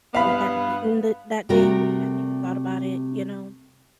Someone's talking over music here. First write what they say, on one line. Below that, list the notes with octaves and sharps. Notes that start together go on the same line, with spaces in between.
we hadn't eaten th that day, we hadn't even thought about it, you know?
G2 B3 F5 B5
C3 G3 A3 F#4 A#4